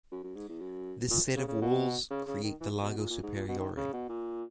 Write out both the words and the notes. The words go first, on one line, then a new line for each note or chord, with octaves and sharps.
This set of walls create the Lago Superiore.
F#2
F#2
G#2
E2
F#2
A#2
C#3
C#3
B2
C#3
C#3
D#3
E3
A#2
B2
A#2
A#2
G#2
A#2
B2
D#3
C#3
B2
A#2